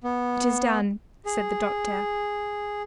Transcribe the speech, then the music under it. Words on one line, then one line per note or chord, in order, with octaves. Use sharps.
"It is done," said the doctor.
B3
G#4